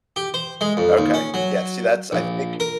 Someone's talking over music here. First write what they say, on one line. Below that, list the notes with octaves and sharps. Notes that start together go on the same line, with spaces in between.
Okay, yeah, see, that's I think
G4
C5
G#3
F2
D#2
C#4
F#3
A#1
A#4